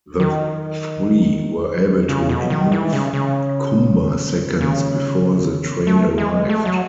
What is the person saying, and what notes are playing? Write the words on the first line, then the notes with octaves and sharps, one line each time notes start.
The three were able to remove Cumba seconds before the train arrived.
D#3
C#3
B2
D#3
E3
C#3
C#3
C#3
A3
G#3
A3
F#3